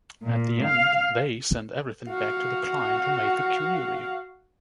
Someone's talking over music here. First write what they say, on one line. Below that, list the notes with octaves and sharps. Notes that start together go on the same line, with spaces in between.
At the end They send everything back to the client who made the query.
A#2
F5
F#4 F5